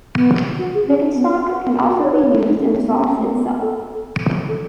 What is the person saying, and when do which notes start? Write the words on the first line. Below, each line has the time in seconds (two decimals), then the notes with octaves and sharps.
Chicken stock can also be used in the sauce itself.
0.15 B3
0.58 F#4
0.74 G#4
0.87 C#4
1.13 C#4
1.16 B3
1.30 F#4
1.45 F#4
1.89 F#4
2.03 C#5
2.12 B4
2.17 C#5
2.32 E4
2.46 D#4
2.60 C#4
2.75 B3
2.86 B3
2.96 C#4
3.08 C#4
3.18 A3
3.32 B3
3.47 B3
3.61 A4
4.48 A4